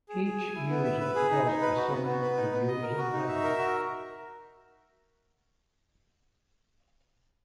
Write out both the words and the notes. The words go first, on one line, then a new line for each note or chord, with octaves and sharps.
Each user was assigned a user level.
G#4
G#4
G#5
E4
B3
E5
B4
G#4
D#4
D#4
B4
F#4
B3
B3
B4
D#4
B3
D#5
A#4
F#4
D#4
E5
A#4
F#4